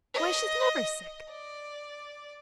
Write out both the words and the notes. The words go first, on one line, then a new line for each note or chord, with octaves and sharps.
Why, she's never sick!
D#5
D5